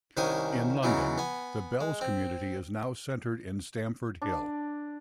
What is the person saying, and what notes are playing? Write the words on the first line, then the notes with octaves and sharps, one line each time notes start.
In London, the Belz community is now centred in Stamford Hill.
C2 D#3 C#4 C5 G#5 D#6
C#3 E3 F#3 C#4 D#4
B3 G#5
G#3
C4
D4